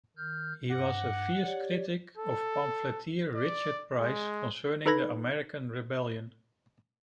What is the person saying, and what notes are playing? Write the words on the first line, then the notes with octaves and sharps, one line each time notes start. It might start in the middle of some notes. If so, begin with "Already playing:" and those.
He was a fierce critic of pamphleteer Richard Price concerning the American rebellion.
D#3 F6 G6
G2 F#5 D6 A#6
G4 C#5 D5
A4
D5
G#3
D#4 A4 B4 B5 G#6 A#6